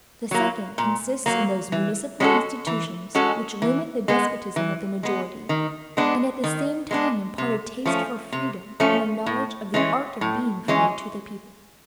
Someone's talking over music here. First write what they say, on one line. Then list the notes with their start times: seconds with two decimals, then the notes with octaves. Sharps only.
The second consists in those municipal institutions which limit the despotism of the majority, and at the same time impart a taste for freedom and a knowledge of the art of being free to the people.
0.31 F#3 A#3
0.78 A#2
1.26 F#3 A#3
1.72 E3
2.20 G#3 C#4 F#4 A4
2.67 E3
3.15 G#3 C#4 F#4 A4
3.62 E3
4.08 G#3 B3
4.56 E3
5.03 G#3 B3
5.49 D#3
5.97 G#3 B3 D4
6.44 D#3
6.91 G#3 B3 D4
7.38 C3
7.86 F3 A3 C#4
8.32 C3
8.80 F3 A3 C#4
9.26 A2
9.74 E3 G#3 C#4
10.21 A2
10.68 E3 G#3 C#4